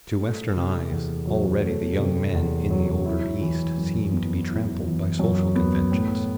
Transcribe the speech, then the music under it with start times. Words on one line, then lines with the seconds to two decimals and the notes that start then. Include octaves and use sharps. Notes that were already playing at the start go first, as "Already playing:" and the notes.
To Western eyes already the young men in the older East seem to be trammeled by social conventions.
0.19 A3
0.56 C3
0.91 E2
1.27 F#3
1.63 A3
1.98 C3
2.34 E2
2.70 F#3
3.06 E4
3.41 E3
3.78 F#2
4.13 B3
4.48 E4
4.85 E3
5.19 F#2
5.55 B3
5.92 A2